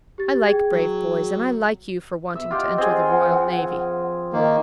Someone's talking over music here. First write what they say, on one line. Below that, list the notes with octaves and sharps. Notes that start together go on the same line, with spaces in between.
I like brave boys, and I like you for wanting to enter the Royal Navy.
G4 A6
G#4 G5 G#6
F#3
B2 E5
F4 G4 D#5 F#5
C4 G#4
F3
D#3 A#3